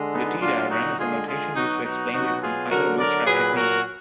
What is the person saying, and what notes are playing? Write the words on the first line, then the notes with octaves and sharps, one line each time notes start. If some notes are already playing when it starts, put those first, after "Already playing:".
The T-diagram is a notation used to explain these compiler bootstrap techniques.
Already playing: D3 G#3
B3 D#4
A#2 F#3 D4 F4
D#4 F#4
D3 G#3 F4 G#4
F4 G#4
B2 F#3 D#4 F#4
D#4 F#4
B2 F#3 D#4 F#4
F4 G#4
D3 F#3 F#4 A#4
A#4 D5
A#2 F#3 G#4 B4
F#4 A#4